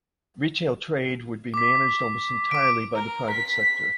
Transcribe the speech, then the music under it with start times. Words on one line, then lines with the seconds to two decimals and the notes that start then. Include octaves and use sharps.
Retail trade would be managed almost entirely by the private sector.
1.54 D6 B6
2.51 D6 D7
2.95 A#4
3.30 B6